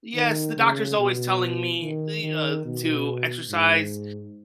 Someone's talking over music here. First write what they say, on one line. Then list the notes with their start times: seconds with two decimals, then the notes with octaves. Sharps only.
Yes, the doctor's always telling me the uh, to exercise,
0.15 D#3
0.57 C#3
0.99 B2
1.81 D#3
2.23 D#3
2.65 B2
3.48 G#2